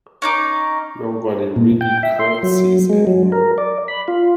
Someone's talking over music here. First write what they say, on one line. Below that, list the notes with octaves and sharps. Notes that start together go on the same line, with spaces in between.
Nobody really curtsies anymore.
C#4 D#4 D6
A#2
G5
E5
C6
F#3
G#3
F#3
A#4
D5
B5
F4